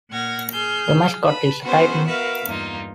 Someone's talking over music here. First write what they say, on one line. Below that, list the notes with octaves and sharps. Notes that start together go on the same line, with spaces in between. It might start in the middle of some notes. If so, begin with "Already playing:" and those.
The mascot is a Titan.
A#2 F#5 F6 G#6 A#6
G#4 F6 G6
B4 A5 B5
B3 C#4 F#4 G#4 B4 C5
F#4 A#4 B4 E5 F5
E2 G2 A#3 D#4 F4